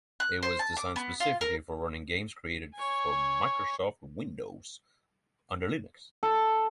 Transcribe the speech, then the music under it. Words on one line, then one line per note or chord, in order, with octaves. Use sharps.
It was designed specifically for running games created for Microsoft Windows under Linux.
F#6
C5
A5
D6
B3
F4
A#4
C#5 G#5
A4